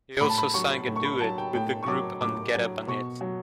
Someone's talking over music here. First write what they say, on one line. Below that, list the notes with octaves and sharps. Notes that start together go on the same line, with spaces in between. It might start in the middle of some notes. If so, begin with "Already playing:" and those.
He also sang a duet with the group on Get Up On It.
A2 B5
A5
B5
F#3 C#6
A2
C#6
B5
F#3 A5
G5
A2 G5
C#6
F#3 D6
A2 D6
F#3
B2 C#6
F#3